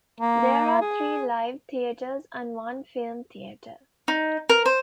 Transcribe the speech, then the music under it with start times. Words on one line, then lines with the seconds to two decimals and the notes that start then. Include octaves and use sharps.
There are three live theaters and one film theater.
0.20 A#3
0.81 G#4
4.08 D#4
4.49 A#4
4.66 C5